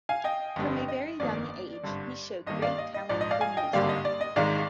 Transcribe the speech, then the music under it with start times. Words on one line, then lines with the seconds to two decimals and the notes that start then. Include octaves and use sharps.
From a very young age, he showed great talent for music.
0.09 F5 G#5
0.24 D#5 G5
0.56 G1 F2 D3 G3
0.88 D#5
1.20 G1 F2 D#3 A#3 D5
1.83 G#1 G2 D3
2.47 G#1 G2 D#3 A#3 D#5
2.62 D5 F5
2.78 D#5
2.94 D#5
3.09 A#1 G#2 F3 D5
3.21 D#5
3.31 D5 F5
3.41 F5 G#5
3.57 D#5 G5
3.73 G#1 G2 D3 G3 A#3 D5 F5
3.89 D#5
4.05 D5
4.21 D#5
4.36 G#1 G#2 D#3 G#3 D5 F5